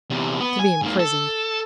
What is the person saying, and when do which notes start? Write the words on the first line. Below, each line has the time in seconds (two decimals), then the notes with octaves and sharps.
To be imprisoned.
0.10 E2 C3
0.40 B3
0.59 G#5
0.82 G#2 A#3
0.99 A4